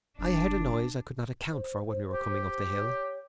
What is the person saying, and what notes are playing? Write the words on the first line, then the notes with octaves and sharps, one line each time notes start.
"I heard a noise I could not account for when we were coming up the hill."
F#1 D4
C5
G4
C#5